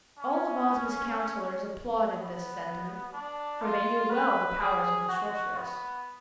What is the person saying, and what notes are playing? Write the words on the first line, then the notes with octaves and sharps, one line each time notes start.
All of Ozma's counsellors applauded this sentiment, for they knew well the powers of the Sorceress.
C#4
B3
D4
F4
B4
G#4
F#4
B3